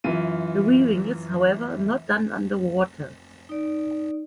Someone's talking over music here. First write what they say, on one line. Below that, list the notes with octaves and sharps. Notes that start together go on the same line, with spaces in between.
The weaving is, however, not done under water.
F#2 E3 F4 D#7
D#4 D5